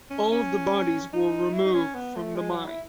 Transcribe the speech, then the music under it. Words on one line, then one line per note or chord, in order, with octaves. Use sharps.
All of the bodies were removed from the mine.
C#4
C#4
D#4
E4
D#4
C#4
B3
A3
G#3
F#3
E4